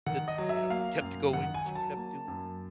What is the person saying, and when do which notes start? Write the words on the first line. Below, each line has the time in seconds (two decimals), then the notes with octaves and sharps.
that, you know, kept going that you kept doing?
0.06 D#3 F#5
0.28 D#5
0.38 F#3
0.49 E5
0.70 A#3 F5
1.01 F#2
1.33 D#3 F#5
1.54 G#5
1.66 F#3
1.75 A5
1.97 A#3
2.28 F#2